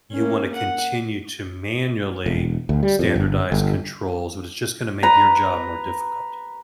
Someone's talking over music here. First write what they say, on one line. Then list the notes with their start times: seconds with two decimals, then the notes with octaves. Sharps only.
you wanna continue to manually standardize controls, but it's just gonna make your job more difficult.
0.13 A#3 C#4
0.55 F#5
2.26 E1
2.69 D2
2.83 G3
2.99 F2
3.16 G1
3.52 G1
5.03 B4 A#5